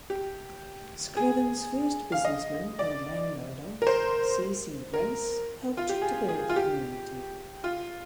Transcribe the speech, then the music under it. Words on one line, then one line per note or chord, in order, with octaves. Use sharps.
Screven's first businessman and landowner, C. C. Grace helped to build the community.
G4
G#4
F5
D#5
D5
A#4
C5
A#4
F4
G4
G#4
G#4
F4
G4
F4